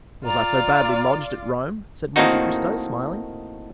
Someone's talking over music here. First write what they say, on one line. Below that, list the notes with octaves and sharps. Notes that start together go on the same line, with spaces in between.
"Was I so badly lodged at Rome?" said Monte Cristo smiling.
F4 D5 A#5
A2 D#3 A#3 C4 D#4 F#4